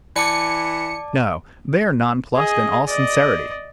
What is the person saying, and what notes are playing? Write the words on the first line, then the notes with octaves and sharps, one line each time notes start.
No, they are nonplussed in all sincerity.
E3 D5 A5 D6 C#7
G#4 D#5
D5 D#5